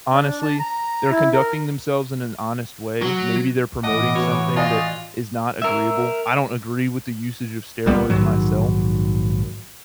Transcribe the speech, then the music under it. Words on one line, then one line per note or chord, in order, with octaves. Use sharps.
honestly, they're conducting themselves in an honest way. Maybe they're promoting something that is not agreeable. I don't agree with the usage of steroids myself.
D4
A5
A#5
E4
A#4
F#3
A2 E3 D#5 F#5 D6
B3 F#4 C#5
F4 F#4 D5 D#5 G#5
A#4 E5
C#2 G3 B3
A#1 G#2 D#3 F#3